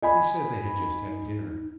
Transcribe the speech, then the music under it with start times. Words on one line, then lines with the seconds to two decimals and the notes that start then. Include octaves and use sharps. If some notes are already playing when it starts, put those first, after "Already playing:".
They said they had just had dinner.
0.02 D#5 G#5 B5
0.64 D#4